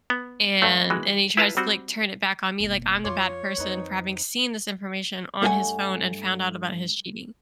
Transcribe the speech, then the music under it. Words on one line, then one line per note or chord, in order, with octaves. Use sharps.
And and he tries to, like, turn it back on me, like, I'm the bad person for having seen this information on his phone and found out about his cheating.
B3
G2 A3
E3 G#3 F#4
E4 F4 B4 F5 A5 A#5
G3 C4 F#4
F#1 B2
F2 F4 C#5 C6 D6
F2 C4 D#4 B4
G2 A3 E4 G#4 F#5 G#5